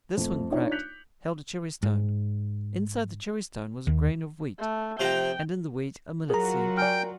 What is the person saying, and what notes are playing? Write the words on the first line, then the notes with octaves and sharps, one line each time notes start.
This when cracked held a cherrystone, inside the cherrystone was a grain of wheat, and in the wheat a millet-seed.
F2 A3
D4 D#4 F4 C#5 D5
F#6 G6 B6 C#7 F7
G#2
D#2
A3
C3 F3 G5 A#5
F#3 F4 F#4 G#4 A#4 A#5
D5 G5 G#5 F6